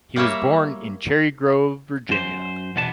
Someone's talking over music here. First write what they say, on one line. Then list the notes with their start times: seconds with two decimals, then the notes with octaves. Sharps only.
He was born in Cherry Grove, Virginia.
0.16 G3 A#3 C#5 E5
2.09 F#2 C5
2.76 E2 B2 B3 D4 A5